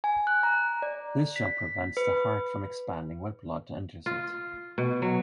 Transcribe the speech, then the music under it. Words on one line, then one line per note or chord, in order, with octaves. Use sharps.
This shell prevents the heart from expanding when blood enters it.
G#5
F#6
A#5
D5
B6
B4
F4
B2
F#3